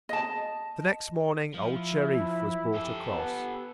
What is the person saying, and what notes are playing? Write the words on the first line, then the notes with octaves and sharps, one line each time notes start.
The next morning old Shereef was brought across.
D#5 A5
F3 E4
G4 A4
B3